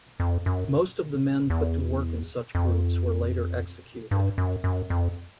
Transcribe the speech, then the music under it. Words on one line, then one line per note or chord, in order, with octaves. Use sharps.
Most of the men put to work in such groups were later executed.
F2
F#2
E2
F2
G2
F#2
F#2
F2